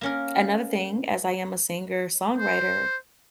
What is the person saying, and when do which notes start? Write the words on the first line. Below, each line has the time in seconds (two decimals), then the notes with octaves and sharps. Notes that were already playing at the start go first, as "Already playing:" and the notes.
another thing, as I am a singer-songwriter,
0.01 A#3 C#4 A#4
2.38 C5